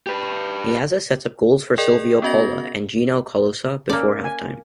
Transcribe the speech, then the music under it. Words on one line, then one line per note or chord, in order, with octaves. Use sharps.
Meazza set up goals for Silvio Piola and Gino Colaussi before halftime.
G4 B4
G#4 A#4 D5 D#5 G5
B3 C#4 F#4 D#5 A#6
A#3 C#4 A4 D5
G#5